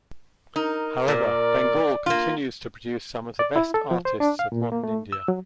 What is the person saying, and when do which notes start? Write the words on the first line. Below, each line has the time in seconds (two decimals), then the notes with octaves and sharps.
However, Bengal continues to produce some of the best artists of modern India.
0.56 D#4 A#4
1.08 A#2 D5
2.06 A#3 F4
3.39 D5
3.56 E4
3.74 A4
3.91 F3
4.05 C5
4.20 D4
4.39 F5
4.52 A#2
4.72 A#3
4.84 A3
5.12 E6
5.28 F#3